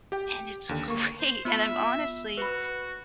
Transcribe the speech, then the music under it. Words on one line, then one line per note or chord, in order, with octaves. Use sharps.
and it's great, and I'm honestly
G4 G5
D#2 D3
A#3 C#6
C5
B3 F4 E5 B5
F#4 B4 B5